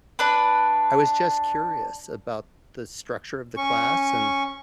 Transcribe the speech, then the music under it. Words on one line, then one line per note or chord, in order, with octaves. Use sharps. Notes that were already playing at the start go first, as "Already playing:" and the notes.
I was just curious about the structure of the class, and
D4 B4
C#4 C#6